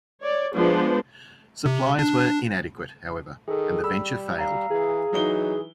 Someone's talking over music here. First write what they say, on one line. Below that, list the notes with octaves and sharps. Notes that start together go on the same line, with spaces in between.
Supplies were inadequate, however, and the venture failed.
C#5 D5
F3 G#3 B3 D4 C5
C3
D4
D#3 G#4 A4
G3 B5 E6
F5 A#5
E3 G#4
E3 F#3 D#4 G7